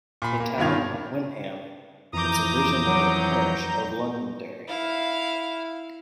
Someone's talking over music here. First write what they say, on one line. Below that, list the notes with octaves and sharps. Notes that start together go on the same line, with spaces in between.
The town of Windham was originally a parish of Londonderry.
A#2 B5
A#3
G2 B2 D#3 F4 G#6 F7
F2 E3 A#5 D6 D#6 G6
F#3
E4 F5